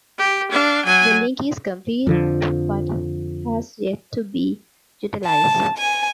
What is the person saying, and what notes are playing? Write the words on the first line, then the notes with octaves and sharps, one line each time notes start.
The link is complete but has yet to be utilized.
G4
D4 F5
F#3 G#5
F2 D3 F3
A5
G#5